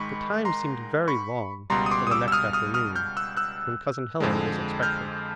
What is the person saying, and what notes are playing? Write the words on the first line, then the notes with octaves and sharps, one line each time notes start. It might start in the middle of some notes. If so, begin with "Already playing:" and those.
The time seemed very long till the next afternoon, when Cousin Helen was expected.
Already playing: G#2 D#3 G#3 B5 C#6
A#5 C6
B5 C#6
C#2 B2 G3 A#5 C6
D#6
C6 D6
D#6
D6 E6
E6
D#6 F6
D#6 F6
D#6 F6
F6 G6
E6 F#6
E6 F#6
F2 D3 F3 G#3
F6 G6